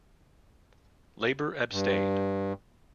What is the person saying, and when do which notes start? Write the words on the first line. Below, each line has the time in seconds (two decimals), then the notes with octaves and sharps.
Labour abstained.
1.72 G2